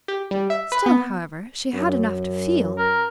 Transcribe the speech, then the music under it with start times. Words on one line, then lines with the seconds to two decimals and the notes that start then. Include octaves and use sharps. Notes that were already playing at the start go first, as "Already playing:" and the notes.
Still, however, she had enough to feel!
0.08 G4
0.31 G3
0.50 E5
0.72 B4
0.86 B3
1.74 F#2
2.78 A#4